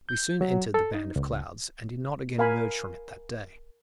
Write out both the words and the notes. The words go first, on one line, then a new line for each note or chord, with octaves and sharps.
We soon entered the band of clouds, and did not again emerge from it that day.
G6
F#3
A4
D#4
C#2
A#4 F5 G#5 B5